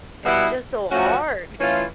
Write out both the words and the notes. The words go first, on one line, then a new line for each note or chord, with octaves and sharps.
They're just so hard.
B2 G3 B3 E4
F3 A3 C#4 F#4
E3 A3 C#4 F4